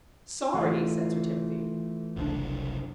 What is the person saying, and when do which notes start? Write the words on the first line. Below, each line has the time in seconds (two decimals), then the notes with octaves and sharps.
"Sorry!" said Sir Timothy.
0.54 E3 A3 F4
2.16 F#1 C2 D4